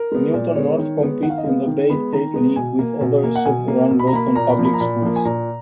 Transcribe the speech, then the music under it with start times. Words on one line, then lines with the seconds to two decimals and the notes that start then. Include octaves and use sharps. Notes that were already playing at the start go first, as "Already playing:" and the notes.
Newton North competes in the Bay State League with other suburban Boston public schools.
Already playing: A#4
0.12 G#3 B3
0.34 A#2
0.56 G#3 B3 C#5
0.78 D#3
1.00 G#3 B3
1.23 D#3 F#5
1.30 F5
1.38 D#5
1.44 G#3 B3 F5
1.67 D#3
1.90 G#3 B3 B5
2.12 D#3 A#5
2.34 G#3 B3
2.56 B2 G#5
2.79 A#3
3.01 B2
3.23 A#3
3.36 F#5
3.45 B2 G#5
3.68 A#3
3.91 B2
3.99 B5
4.07 A#5
4.13 A#3 B5
4.35 A#2 A#5
4.50 B5
4.58 F3 A#3
4.65 B5
4.74 A#5
4.80 A#2 B5
5.02 F3 A#3
5.16 G#5
5.25 A#2 A#5